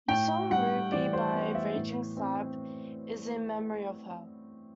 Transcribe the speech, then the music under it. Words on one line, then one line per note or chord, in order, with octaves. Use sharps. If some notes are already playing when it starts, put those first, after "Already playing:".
The song "Ruby", by Raging Slab, is in memory of her.
A2 G5
G3 F#5
E3 D5
C5
B3
E5
A2
C4